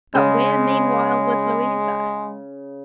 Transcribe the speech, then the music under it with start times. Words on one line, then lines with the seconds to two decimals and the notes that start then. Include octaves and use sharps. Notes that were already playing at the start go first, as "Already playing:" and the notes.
But where, meanwhile, was Louisa?
0.15 C#3 G#3